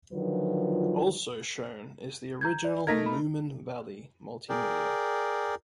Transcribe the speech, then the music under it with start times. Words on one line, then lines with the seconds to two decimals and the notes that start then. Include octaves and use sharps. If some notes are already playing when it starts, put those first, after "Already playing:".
Also shown is the original Moomin Valley multimedia.
0.13 D3 D#3 F3 F#3 F4 B4
2.41 A#5 G6 G#6
2.65 D5
2.87 A3 D#4 A#4 G#6 A#6 B6
3.06 B5
4.49 G#4 A#4 D5 G5